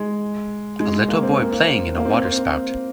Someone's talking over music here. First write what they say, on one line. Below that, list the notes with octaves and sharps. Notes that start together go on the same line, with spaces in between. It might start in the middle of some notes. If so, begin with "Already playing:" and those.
A little boy playing in a water spout.
Already playing: G#3
G#3
A#3
C4
A#3
A#3
C4
A#3
C4
A#3
C4